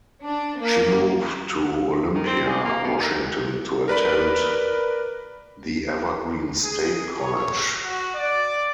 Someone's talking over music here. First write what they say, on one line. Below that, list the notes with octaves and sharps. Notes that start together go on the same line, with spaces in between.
She moved to Olympia, Washington to attend The Evergreen State College.
D4
A#3
D#3
C4
G#3
A#3
B2
D#3
A#4 B4 D5 B5
G#4
C#5
F#4
D5